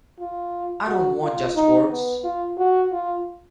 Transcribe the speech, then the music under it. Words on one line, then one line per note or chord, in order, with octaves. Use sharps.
I don't want just words.
F4
F#4
F4
D#4
B3
F4
F#4
F4